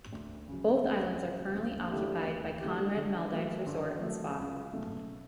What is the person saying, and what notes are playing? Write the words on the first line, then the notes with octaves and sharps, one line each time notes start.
Both islands are currently occupied by Conrad Maldives Resort and Spa.
D2
C#3 F#3
D2
C#3 F#3
D2
D3 A3 E4 G4
D2
D3 A3 E4 G4
D3
F#3 A3
D3
F#3 A3
C#2
B2 F#3 A3